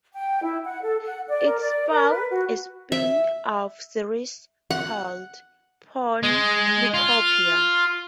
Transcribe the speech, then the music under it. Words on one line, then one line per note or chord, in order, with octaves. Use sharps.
It spawned a spin-off series called "Pornucopia".
G5
E4
F#5
A4
F#5
D5
A#4
D5
A#4
B4
F#4
E5
F#5
G#3
F4